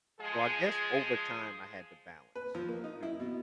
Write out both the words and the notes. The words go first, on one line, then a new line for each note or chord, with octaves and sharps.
So I guess over time I had to balance, uh, through
F3 G#3 G#4
B4
F3
A#3
D#4
E4
B2